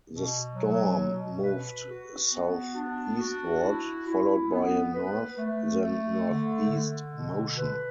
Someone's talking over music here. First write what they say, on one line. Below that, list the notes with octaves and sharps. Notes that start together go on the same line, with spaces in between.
The storm moved southeastward, followed by a north, then northeast motion.
B2
F#3
B2
B4
F#4
B3
D4
F#4
E4
E4
B3
B4
A3
A3
D3
D3
B2
B4